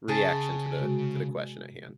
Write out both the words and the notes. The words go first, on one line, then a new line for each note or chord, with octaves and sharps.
reaction to the to the question at hand.
C#3 G#4 A5
C3 G#3 F#4